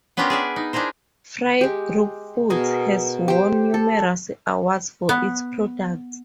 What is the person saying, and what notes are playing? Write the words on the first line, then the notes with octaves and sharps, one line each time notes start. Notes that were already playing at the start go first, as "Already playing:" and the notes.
Fry Group Foods has won numerous awards for its products.
B3 C#4 D4 F4 G4 A#4
G#4 D5 E5
D#4
D4 E4 G#4 A#4 C5
G#3 G4
B2 G#4 A#4
G4 C5
A4
B3